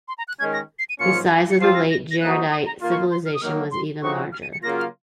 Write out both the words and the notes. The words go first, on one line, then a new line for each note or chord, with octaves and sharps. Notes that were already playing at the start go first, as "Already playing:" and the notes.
The size of the late Jaredite civilization was even larger.
C6
A#5
F#6
D#3 G#3 C#4 G#6
A#6
C7
D#7
G#2 F3 A#3 C#4 F4 C#7
C#7
F3 C4 F4 C7
A#6
A#6
A#6
F3 A#3 D#4 F#4 F#6
D#6
A#5
D#3 A#3 F4
C#6
C6
F6
D#6
D#3 F#3 A#3 F6
C6
C#3 F3 C4 D#4 F#4 C#6
F6
D#7
C#7
C#3 F#3 A#3 F4 A#6
F6